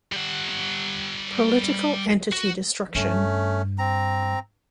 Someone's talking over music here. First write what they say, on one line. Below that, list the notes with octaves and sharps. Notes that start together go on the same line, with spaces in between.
Political entity destruction.
G3 F#5
F#4
G2 A3 C#4
C4 A#5